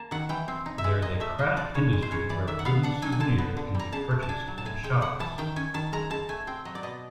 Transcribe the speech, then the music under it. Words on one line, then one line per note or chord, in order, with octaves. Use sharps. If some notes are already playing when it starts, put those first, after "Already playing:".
There is a craft industry where wooden souvenirs can be purchased in shops.
Already playing: A#3 A5
D#3 F#5
E3 G5
C4
D#4
E5
G#3
A#2 D#5
A3 E5
D4 D#5
F3 D5
C#3 C#5
G#3
C5
C#3 C#5
E3 D5
D#3 E5
F#5
B3 F5
D4 F#5
F#3 G#5
G#5
D3 A5
B3
D3
G3 A#5
C#3 A5
A3
A5
D4 G#5
F#3
A5
A2 G#5
G#3 G5
A2 F#5
E3 A5
D#3 G5
C#4 G#5
D#3 A5
G#3 A#5
C#3 A5
A3 G#5
C4 G5
F#3 D#5
D5
B2 D#5